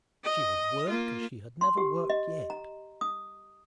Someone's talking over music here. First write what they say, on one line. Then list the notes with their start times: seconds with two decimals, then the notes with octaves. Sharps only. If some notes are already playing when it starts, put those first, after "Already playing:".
She would work as she had never worked yet.
0.24 D#5
0.89 A#3 F4
1.61 C6
1.77 G4
2.10 D#5
2.50 A#5
3.01 D#6